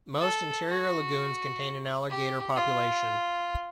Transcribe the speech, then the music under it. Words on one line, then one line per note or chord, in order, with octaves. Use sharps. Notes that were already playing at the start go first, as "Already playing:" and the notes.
Most interior lagoons contain an alligator population.
A4
F#4
G4
F4